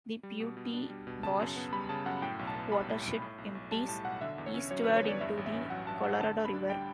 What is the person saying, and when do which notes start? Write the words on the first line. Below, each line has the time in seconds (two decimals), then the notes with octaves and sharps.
The Piute Wash Watershed empties eastward into the Colorado River.
0.23 G3
0.40 B2
0.57 B2
0.73 D4
0.90 G3
1.07 B2
1.23 C#3 A5
1.39 F#2
1.56 B3
1.72 G3 B5
1.89 C#3 A5
2.06 F#2 F#5
2.22 A2 G5
2.39 B1
2.47 A5
2.55 B3
2.72 G3 B5
2.88 A2
3.05 B1
3.22 A2
3.38 B1
3.55 B1
3.72 G3 A5
3.88 A2 A5
4.05 B1 F#5
4.21 D3 E5
4.38 E2
4.46 C#5
4.54 C#4
4.71 F#3 C#5
4.84 B4
4.88 D3
4.96 C#5
5.04 E2 D5
5.21 G2 E5
5.37 A1
5.46 E5
5.54 C#4
5.70 F#3 F#5
5.87 G2 A5
6.03 A1 F#5
6.20 D3 A5
6.37 D2
6.45 B5
6.53 D4
6.70 G3 G5